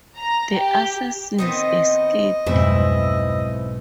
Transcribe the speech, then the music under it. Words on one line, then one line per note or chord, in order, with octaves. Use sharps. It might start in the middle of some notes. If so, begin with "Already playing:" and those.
The assassins escaped.
A#5
G4
D#3 B3 C4 D#5
B1 F2 G#2 C4 E4